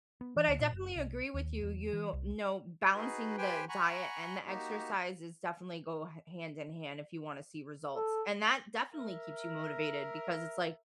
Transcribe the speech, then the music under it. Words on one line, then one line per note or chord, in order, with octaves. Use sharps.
But I definitely agree with you, you know, balancing the diet and the exercise is definitely go ha hand in hand if you wanna see results, and that definitely keeps you motivated because it's like,
B3
E3
D2
A#2
F#1
C2
D#2
E2
E3
C2
D#4 F#4 G#4 B4
G4 B4 C5 G5 G#5
F#5 G#5 A#5 B5 C#6
A#3 D#4 F#4 G4
A4
A#4 E5